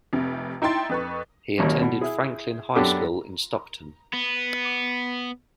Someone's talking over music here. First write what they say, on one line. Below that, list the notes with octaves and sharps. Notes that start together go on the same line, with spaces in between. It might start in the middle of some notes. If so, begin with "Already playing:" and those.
He attended Franklin High School in Stockton.
F1 C3
D#4 E4 G5 C6 A6
F2 B4 C#6
G#1 D#2 G3 A#3 C#4 C#5
B2
E4 G#4
F#2 B3 D4 G4 A4 D6
B3